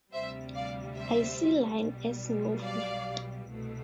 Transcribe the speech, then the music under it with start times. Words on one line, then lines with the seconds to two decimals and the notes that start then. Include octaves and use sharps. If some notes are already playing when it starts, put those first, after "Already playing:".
I see line as movement.
0.13 D2 C3 G3 C5 E5
0.55 D5 F5
0.97 C5 E5
1.81 B1 B2 G3
2.64 D5 F5
3.47 C2 B2 A3